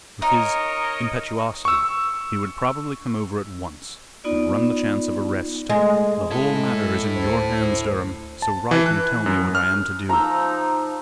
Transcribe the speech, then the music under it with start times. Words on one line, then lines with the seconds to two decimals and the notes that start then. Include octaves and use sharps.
With his impetuosity, he would probably come over at once, and run the chance of arrest. The whole matter is in your hands, Durham, so write and tell me what I am to do.
0.22 D#4 A#4 C#5 D#5
1.65 C#6 E6
4.24 B3 D#4 F4 D5
5.69 G#3
6.31 G#3 E4 A4
7.15 D2 C5
8.42 A5
8.71 E3
8.86 F#6
9.26 F#2
9.55 F6
10.09 F3 D#4 A#5 E6